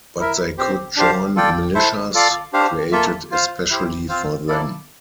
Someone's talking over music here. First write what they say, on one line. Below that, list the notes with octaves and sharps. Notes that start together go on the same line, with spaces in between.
But they could join militias created especially for them.
E4 A#4 E5
C4 G4 C5
D4 G4 C5 F5
F4 A4 D5 G5
E4 A4 C5 E5
F4 A4 D5 F5
D4 G4 C5 F5
A#3 F4 A4 E5
F4 C5 F5
E4 G4 C5
C4 F4 C5 F5
A#3 E4 A4 D5